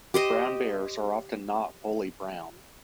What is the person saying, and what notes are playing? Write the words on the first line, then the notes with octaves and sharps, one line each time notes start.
Brown bears are often not fully brown.
G4 C5 D#5